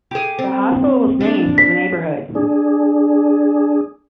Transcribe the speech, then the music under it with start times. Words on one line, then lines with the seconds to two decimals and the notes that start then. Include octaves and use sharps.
The hospital was named for the neighborhood.
0.11 G4 G#4
0.39 C4
1.21 D4
1.58 B6
2.35 D4 G#4